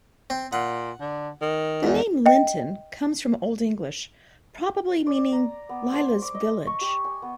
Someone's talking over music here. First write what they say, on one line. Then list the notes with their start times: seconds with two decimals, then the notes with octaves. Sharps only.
The name Linton comes from Old English, probably meaning "Lilla's village".
0.30 C4
0.53 A#2 F#5
1.01 D3
1.42 D#3
1.83 E2 G#2
2.26 D#5 G5
5.07 D5
5.32 A#5
5.69 B3
5.94 C5
6.22 D6
6.35 D#5
6.67 C#6
6.81 G4
7.04 G#5
7.22 B3